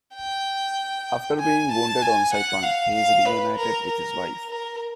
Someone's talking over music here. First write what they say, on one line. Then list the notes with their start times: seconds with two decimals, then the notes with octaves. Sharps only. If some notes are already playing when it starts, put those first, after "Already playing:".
After being wounded on Saipan he is reunited with his wife.
0.15 G5
1.40 G#5
1.71 A5
2.02 G#5
2.33 F#5
2.63 F5
2.94 F5
3.26 B4
3.57 A#4
3.87 A#4
4.50 A#4